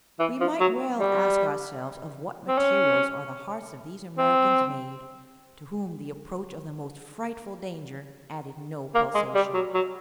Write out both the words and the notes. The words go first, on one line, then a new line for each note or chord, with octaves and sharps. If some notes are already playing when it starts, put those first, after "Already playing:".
We might well ask ourselves of what materials are the hearts of these Americans made, to whom the approach of the most frightful danger added no pulsation.
E3
F3
F#3
G3
C4
C#4
C4
A#3
G#3
G3
F#3
F#3